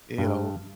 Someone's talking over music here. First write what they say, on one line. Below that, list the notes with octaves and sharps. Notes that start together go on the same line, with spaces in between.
you know,
G2